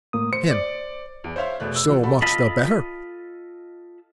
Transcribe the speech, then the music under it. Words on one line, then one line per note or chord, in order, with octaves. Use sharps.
HIM: So much the better.
A2 A#3 D#6
C5 C#7
D5
E2
C5 C#5 E5 F5 C6
E2 B2 A3 F#6
E6
E3 F3
F#4 G4 A4 A5 B5
F4 A4 D#5 A5 B5